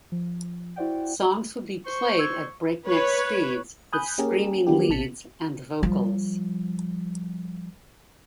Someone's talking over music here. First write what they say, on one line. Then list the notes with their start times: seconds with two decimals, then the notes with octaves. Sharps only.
Songs would be played at breakneck speeds, with screaming leads and vocals.
0.12 F3
0.76 E4 F#4 C5 D5 F#5 G5
1.86 C5 C#6
2.19 E6 G#6
2.86 B4 C#5
3.93 G#5 B5 D#6 F#6 G6
4.18 A#3 C#4 G4 G#4 A#4
4.67 D#3 F#3 A#3 B3 D4 G4
4.89 A1 B2 A5 B6 C#7
5.83 F3 G3